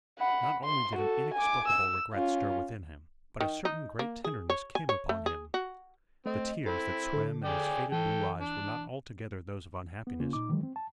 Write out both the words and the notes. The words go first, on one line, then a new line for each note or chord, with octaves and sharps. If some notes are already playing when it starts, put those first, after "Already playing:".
Not only did an inexplicable regret stir within him, but a certain great tenderness came upon him. The tears that swam in his faded blue eyes were not altogether those of unhappiness.
F#5 B5
C6
F#4 A4
G#5 D6
E6
C#4 F4
D#3
D#4
A#3
G#4
C#5
G#5
C#5
A3
G#4
F#4
A3 C4 D#5
C4 E4 A4
D3 A4
G#4 D5 G5
E3 A4 G5
D4
B3
C#3 A#3 C#4 F4
A#2 D#4 D6
D#3 E3 F#3 G#3
C4
A5